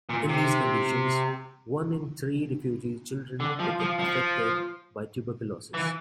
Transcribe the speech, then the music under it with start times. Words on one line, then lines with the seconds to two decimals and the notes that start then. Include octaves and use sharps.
In these conditions, one in three refugee children became affected by tuberculosis.
0.10 A#2
0.29 C3
3.40 D3
3.59 F3
3.80 F3
3.99 F3
5.74 E3